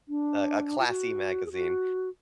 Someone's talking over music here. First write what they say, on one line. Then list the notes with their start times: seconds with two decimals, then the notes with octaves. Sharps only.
a a classy magazine.
0.08 D4
0.79 F4
0.87 F#4
1.46 G#4
1.52 F#4